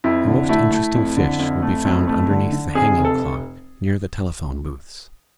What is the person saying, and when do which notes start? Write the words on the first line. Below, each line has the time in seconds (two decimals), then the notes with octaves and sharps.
The most interesting fish will be found underneath the hanging clock, near the telephone booths.
0.04 F2 E4
0.27 D3
0.49 A3 E4
0.72 A3
0.94 F2
1.17 D3
1.39 F2
1.62 A3
1.85 F2
2.07 A3
2.30 D3
2.52 D3
2.75 F2 G#4
2.98 F1
3.05 A4